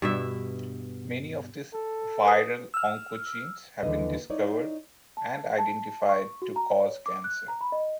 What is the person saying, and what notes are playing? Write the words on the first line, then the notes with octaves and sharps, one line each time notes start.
Many of these viral oncogenes have been discovered and identified to cause cancer.
G2 B2 E5
A4
B4 D#6
E6 F6
D#2 D3 E3 D4 B4 D#5
D#4 E4 C#5 D5
A5
A5
C#6
F#4
A#5
C#5
D6
F#6
A#5
B5
D#5